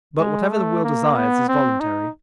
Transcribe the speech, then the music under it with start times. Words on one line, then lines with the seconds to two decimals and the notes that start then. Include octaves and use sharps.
But whatever the will desires is voluntary.
0.20 G#3
0.51 A3
0.84 A#3
1.16 B3
1.49 C4
1.80 D#4